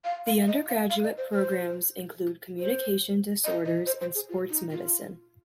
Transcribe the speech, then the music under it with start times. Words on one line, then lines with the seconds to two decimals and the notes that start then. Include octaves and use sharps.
The undergraduate programs include Communication Disorders and Sports Medicine.
0.05 F5
0.26 F5
0.42 F5
0.47 D#5
0.69 F5
0.90 F5
1.04 D#5
1.18 C5
1.33 C5
2.60 C5
3.44 D#5
3.65 D#5
3.86 C5
4.01 C5
4.15 G#4
4.29 F4
4.50 D#4
4.71 F4